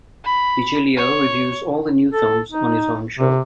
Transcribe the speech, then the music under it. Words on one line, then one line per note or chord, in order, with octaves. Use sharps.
Digilio reviews all the new films on his own show.
B5
C#5
A4
D#4
C3